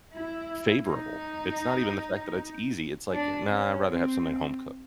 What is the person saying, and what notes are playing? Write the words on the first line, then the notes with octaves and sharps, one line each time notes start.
favorable. It's not even the fact that it's easy. It's like, "Nah, I'd rather have something home cooked."
E4
D#4
D4
C#4
C4